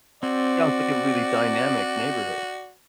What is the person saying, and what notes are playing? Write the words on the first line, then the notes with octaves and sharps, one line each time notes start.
Sounds like a really dynamic neighborhood.
C4 F#4 D5